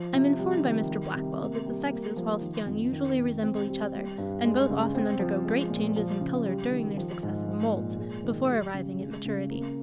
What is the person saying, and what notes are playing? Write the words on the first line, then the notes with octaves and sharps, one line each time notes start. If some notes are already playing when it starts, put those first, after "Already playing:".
I am informed by Mr. Blackwall that the sexes whilst young usually resemble each other; and both often undergo great changes in colour during their successive moults, before arriving at maturity.
Already playing: F3
C3
G3
D#3
G3
C3
A#3
G3
A#3
F3
D#3
F2
D#3
C3
C4
G3
G3
G2
G#3
C#3
C4
F3
G#3
A#2
F3
C#3
G3
D#3
F3
G#2
F3
A#2
G#3
D#3
G3
C#3
G#3
C#3
A#3